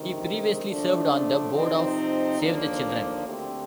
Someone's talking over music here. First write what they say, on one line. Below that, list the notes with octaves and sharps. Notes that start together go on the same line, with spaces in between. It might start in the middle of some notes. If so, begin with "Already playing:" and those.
He previously served on the board of Save the Children.
Already playing: D2 C3 D#3
D3 F3 A3 D4
C3 F3 C4 D#4
D#2 D3 F3 A#3 D4
D2 D3 A3 C4 G4